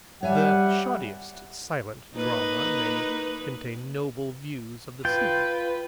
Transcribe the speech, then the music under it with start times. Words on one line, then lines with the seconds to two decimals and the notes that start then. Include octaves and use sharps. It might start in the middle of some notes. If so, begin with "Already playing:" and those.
The shoddiest silent drama may contain noble views of the sea.
0.23 G3 C#5 E5 F#5 G#5
2.14 A#3 D#4 B4
5.05 F4 B4 G5